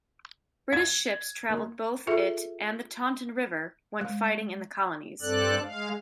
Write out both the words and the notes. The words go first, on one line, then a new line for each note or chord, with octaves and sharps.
British ships travelled both it and the Taunton River when fighting in the colonies.
G#6
A#3
F4 G#4 A4 E5
G#3
G2 C4 A4 D5 F#6
G#3 F5